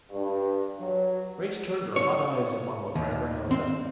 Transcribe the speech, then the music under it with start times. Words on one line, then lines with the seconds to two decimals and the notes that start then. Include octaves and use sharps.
Grace turned her hot eyes upon what Grammer held up.
0.10 G2
0.79 F#3
1.96 C#5
2.95 D#2
3.51 C4